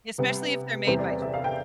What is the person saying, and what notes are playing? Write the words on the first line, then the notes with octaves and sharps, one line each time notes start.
especially if they're made by J from J
C3 G3 B3
E2 C3 E3 G3 B3 C5
D5
D5
E5
F5
G5